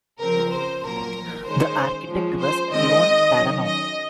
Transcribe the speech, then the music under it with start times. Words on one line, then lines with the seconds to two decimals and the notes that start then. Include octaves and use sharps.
The architect was Ivan Taranov.
0.19 C#3 F3 C4 A#4
0.51 C5
0.82 A#2 F#3 A#3 A#4
1.45 D#3 G#3 C#4 C5
2.08 F3 G#3 C#4
2.40 C5
2.71 D#3 G#3 C4 D#5
3.34 D#3 F#3 C#4
3.66 D#5